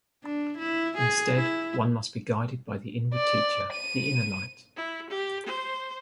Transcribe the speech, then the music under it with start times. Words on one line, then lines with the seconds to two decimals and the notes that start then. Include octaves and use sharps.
Instead one must be guided by the Inward Teacher, the Inner Light.
0.23 D4
0.58 E4
0.98 G#4
1.36 E4
3.15 D5
3.73 D#7
4.76 E4
5.10 G4
5.46 C5